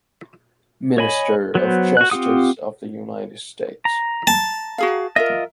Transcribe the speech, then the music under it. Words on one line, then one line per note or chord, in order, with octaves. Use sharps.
Minister of Justice of the United States.
C#5 D#5 G#5 B5
F#3 B3 C5
F#4 F#6
C4 F4 G4 F#5 D#6
A#5
A5
F#4 G#4 F5
F4 A#4 D#5 E5